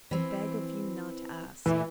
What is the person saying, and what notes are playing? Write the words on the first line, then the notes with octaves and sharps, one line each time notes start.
I beg of you not to ask.
E3 C4
A#2 E3 A3